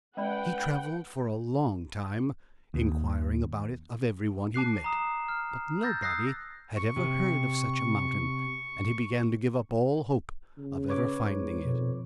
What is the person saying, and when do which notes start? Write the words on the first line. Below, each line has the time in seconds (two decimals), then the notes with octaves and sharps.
He travelled for a long time, inquiring about it of every one he met; but nobody had ever heard of such a mountain; and he began to give up all hope of ever finding it.
0.17 G#3 C#4 B4 D5 F#5 G5 B5
2.74 D#2
4.54 A5 D6 F#6 C7
4.84 A#5 D#6 E7
5.28 F6
5.82 E6 G6 A6 A#6
6.02 D#6 E6 F#6 A#6 C7
6.77 C#6
6.96 C3
10.58 C#3
10.89 B4 C#5 D6
11.25 G#2
11.65 F2 B2